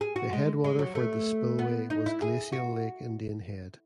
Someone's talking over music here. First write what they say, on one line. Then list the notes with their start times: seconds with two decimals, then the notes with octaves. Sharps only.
The headwater for the spillway was glacial Lake Indian Head.
0.01 G#4
0.16 F#4
0.33 G#3
0.64 G#3
0.79 F#3
0.95 A3
1.59 B3
1.90 D#4
2.06 E4
2.22 G#4
2.52 F#4